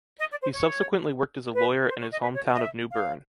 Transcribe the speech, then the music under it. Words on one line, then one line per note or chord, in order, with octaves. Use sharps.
He subsequently worked as a lawyer in his home town of New Bern.
D#5
D5
C5
C#5
B4
C5
C#5
D#5
B4
C#5
D#5
E5
F5